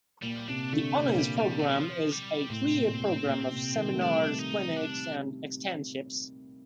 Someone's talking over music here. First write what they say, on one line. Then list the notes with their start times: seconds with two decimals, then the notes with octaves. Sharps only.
The Honors Program is a three-year program of seminars, clinics, and externships.
0.22 A#2 G3
0.48 C3 D4
0.73 D3 A3
0.98 C3 G3
1.09 A#2
1.18 C3
1.37 G3
1.59 A3
1.66 G3
1.75 F3
2.12 G3
2.49 A2 C4
2.62 C3
2.75 A#2
3.00 A2
3.25 A#2
3.50 C3
3.75 D#3
3.95 A3
4.01 G3 D4
4.39 D#4
4.77 D4